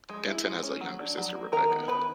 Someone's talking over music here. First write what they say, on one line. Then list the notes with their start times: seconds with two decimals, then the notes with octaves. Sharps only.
Denton has a younger sister, Rebecca.
0.09 G#3
0.27 E4
0.45 G#3
0.63 C#4
0.81 F#3
0.99 D4
1.17 F#3
1.35 A#3
1.52 D#3 A#4 A#5
1.70 B3
1.88 D#3 B4 B5